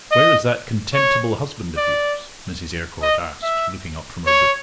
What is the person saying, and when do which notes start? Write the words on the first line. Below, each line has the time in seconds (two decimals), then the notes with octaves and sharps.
"Where is that contemptible husband of yours?" Mrs. Eyrecourt asked, looking up from her book.
0.11 D#5
0.94 C#5
1.77 D5
3.02 D#5
3.43 E5
4.27 C#5